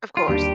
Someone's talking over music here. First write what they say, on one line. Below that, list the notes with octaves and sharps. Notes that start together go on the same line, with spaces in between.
Of course.
F4
D#2 D#3 G3 D4 G4